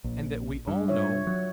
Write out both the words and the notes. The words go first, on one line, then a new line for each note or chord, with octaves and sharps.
And that we all know.
A#1
G2
F4 C#5 E5
F#3